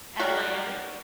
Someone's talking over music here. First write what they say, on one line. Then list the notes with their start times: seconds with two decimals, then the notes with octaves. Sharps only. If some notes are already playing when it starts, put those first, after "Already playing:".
Outta Miami?
0.19 F#3 G3 F#4 A#4